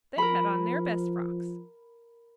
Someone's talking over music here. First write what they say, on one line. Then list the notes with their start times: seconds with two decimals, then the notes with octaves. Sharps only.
They had on their best frocks.
0.18 F3 A#4 B5